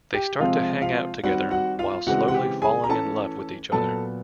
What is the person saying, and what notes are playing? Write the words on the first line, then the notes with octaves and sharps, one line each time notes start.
They start to hang out together while slowly falling in love with each other.
G4 G5
C3 F3 G#3 C4 F4 F5
F4 F5
D#3 G3 C4 F#4 F#5
F#4 F#5
F4 F5
C#3 E3 G#3 C4 F#4 F#5
F#5
G4 G5
G#4 G#5
A#5
E3 A3 C#4 A4 A5
A#2 F#3 B3 A4 A5